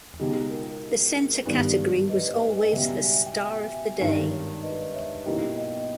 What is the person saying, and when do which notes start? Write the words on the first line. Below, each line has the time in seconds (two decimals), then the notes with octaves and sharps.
The center category was always the "Star of the Day".
0.19 C#2 B2 G#3 D#4 G4
0.50 A#4
1.46 G#1 G2 G3 B3
2.09 B4 D#5
2.41 G5
2.50 G#5
2.57 D#5 G5
2.72 C#2 B2 G3 E5 G#5
3.04 E5 G#5
3.26 G5
3.35 E5 G#5
3.68 E5 G#5
3.99 G#1 G2 D#3 A#4
4.31 C#5
4.62 B4 D#5
4.94 C#5 E5
5.25 B1 B2 A#3 E4 G4 D#5 G5
5.57 D#5 G5
5.79 D#5